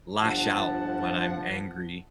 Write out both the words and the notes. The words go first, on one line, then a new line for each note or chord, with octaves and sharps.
lash out when I'm angry
G1 F3 F#5 A5